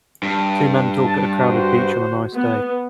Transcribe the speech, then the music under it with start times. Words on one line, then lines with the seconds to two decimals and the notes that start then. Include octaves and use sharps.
Two men talk at a crowded beach on a nice day.
0.23 G2
1.07 A5
1.41 F#4 C5
2.36 B3